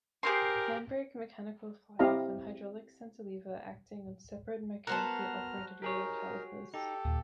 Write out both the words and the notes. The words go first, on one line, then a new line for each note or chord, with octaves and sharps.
Handbrake, mechanical fly-off and hydraulic centre lever acting on separate, mechanically operated rear calipers.
G4 G#4 A#4 C5 C6
C4 E4 G4 D#5 F5 A#5
B3 F#4 A#4 C5 A5 A#5 F6
D#4 G4 G#4 A#4 C#5
D#4 G4 A4
D#2 A#2